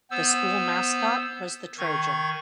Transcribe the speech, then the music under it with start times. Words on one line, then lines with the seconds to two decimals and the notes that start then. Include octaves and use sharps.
The school mascot was the Trojan.
0.11 B3 C5 E6
1.78 D#3 C#6 G#6